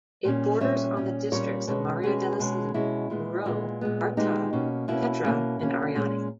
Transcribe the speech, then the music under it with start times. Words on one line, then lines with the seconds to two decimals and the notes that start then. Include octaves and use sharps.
It borders on the districts of Maria de la Salut, Muro, Artà, Petra and Ariany.
0.25 A#2 G3 C#4
0.61 A#2 G3 C#4 C#5 E5
0.97 A#2 G3 C#4
1.32 A#2 G3 C#4 A#4 C#5
1.67 B2 G#3 C#4
2.03 B2 G#3 C#4 G#4 B4
2.39 B2 G#3 C#4
2.74 B2 G#3 C#4 E4
3.10 A#2 G#3 B3
3.46 A#2 G#3 B3
3.81 A#2 G#3 B3
4.17 A#2 G#3 B3 D#4 G4
4.53 B2 A#3 C#4
4.88 B2 A#3 C#4 E4
5.24 B2 A#3 C#4
5.59 B2 A#3 C#4
5.95 A#2 G#3 C#4